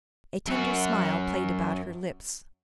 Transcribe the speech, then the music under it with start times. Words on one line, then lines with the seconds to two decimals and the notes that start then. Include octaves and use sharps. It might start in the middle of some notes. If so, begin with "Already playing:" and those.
A tender smile played about her lips.
0.48 F#2 F#4